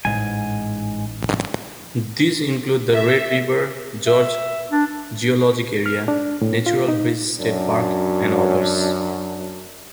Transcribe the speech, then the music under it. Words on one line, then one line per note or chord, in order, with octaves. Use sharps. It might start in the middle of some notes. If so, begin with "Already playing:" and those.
These include the Red River Gorge Geologic Area, Natural Bridge State Park, and others.
A1 G#2 G#5
E5
E5
D4
F6
D4
A2
F4
D#4
F#2 D4